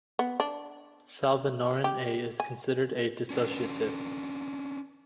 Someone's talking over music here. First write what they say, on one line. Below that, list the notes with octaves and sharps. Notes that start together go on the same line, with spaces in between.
Salvinorin A is considered a dissociative.
B3
D4
G4
G#5
C#4 D4 B4